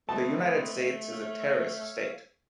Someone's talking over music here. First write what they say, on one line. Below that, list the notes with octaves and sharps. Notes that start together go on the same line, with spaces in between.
The United States is a terrorist state.
A3 C4 B4 D#5 A5
C#5 E5 F5